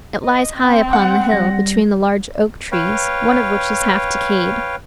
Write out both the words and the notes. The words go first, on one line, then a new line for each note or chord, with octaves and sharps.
It lies high upon the hill, between the large oak-trees, one of which is half decayed.
D#5
C4
F#5
G3 A#6
B4 C#5 F5 G5